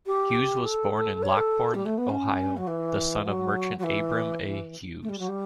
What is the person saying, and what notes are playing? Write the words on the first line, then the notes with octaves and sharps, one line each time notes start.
Hughes was born in Lockbourne, Ohio, the son of merchant Abram A. Hughes.
G4
A4
C#5
A4
G3
A3
B3
C#4
F#3
E3
F#3
F#3
E3
A3
G3
F#3
G3